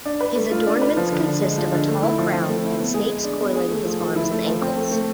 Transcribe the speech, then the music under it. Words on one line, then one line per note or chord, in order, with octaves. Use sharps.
His adornments consist of a tall crown and snakes coiling his arms and ankles.
D4
B4
A3
F4
D4
B4
F3
D3
D3
G#3
F3
D3
A3
E4
F3
C4
A3
E4
B3
G#4
G#3
D4
B3
G#4
A3
F3
F3
E4
A3
F3
C4
A3
A3